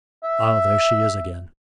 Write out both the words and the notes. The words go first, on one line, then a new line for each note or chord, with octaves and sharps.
Ah, there she is again.'
E5